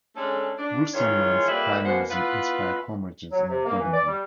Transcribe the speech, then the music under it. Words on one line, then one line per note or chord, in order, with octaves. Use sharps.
Wilstermann's pioneerism inspired homages in Bolivia.
G#3 A3 C#4 D4 G#4 A4
D4
D#3 E3 G#3 F4 C#5
F2 G3 A#3 B4 D5 E5
B2 G#3 A#3 B3 C5 F#5
B3 E4 F4 B4
F#3
C3
A#3
E3
D5
G3